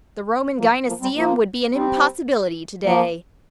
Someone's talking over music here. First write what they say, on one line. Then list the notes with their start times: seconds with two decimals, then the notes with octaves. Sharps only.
The Roman Gynaeceum would be an impossibility to-day.
0.59 F3 A#3
0.87 F3 A#3
1.01 G3 C4
1.16 F3 A#3
1.73 G3 C4
2.84 F3 A#3